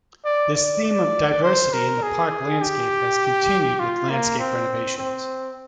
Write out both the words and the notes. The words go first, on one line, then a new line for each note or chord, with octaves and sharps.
This theme of diversity in the park landscape has continued with landscape renovations.
D5
D5
D5
C5
A#4
G#4
G4
F4
A#3
C4
C4